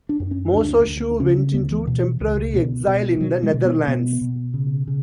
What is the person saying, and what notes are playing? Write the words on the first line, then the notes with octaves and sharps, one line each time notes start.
Moshoeshoe went into temporary exile in the Netherlands.
D4
F#2
C#4
D2 D4
D2
C#3 C#4
C#4
D2 B3
E3
B2
C#2
B2
B2
E3
B2 F#3
G#3
B2
B3
B2 B3
B2
C#3
C#3